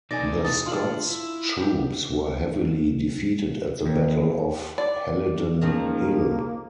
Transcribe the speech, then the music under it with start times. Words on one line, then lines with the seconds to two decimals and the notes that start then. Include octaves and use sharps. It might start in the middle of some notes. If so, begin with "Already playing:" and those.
The Scots troops were heavily defeated at the Battle of Halidon Hill.
0.11 B2 A3 C4 D#4 D5 G#5 A#6
0.45 B2 E4 D#5 A5 D#6
0.66 D3 F4 C6 F#7
1.08 E4
1.57 G4
3.86 D#2
4.78 D5
5.61 C#2 D#3 F3 A#3 C4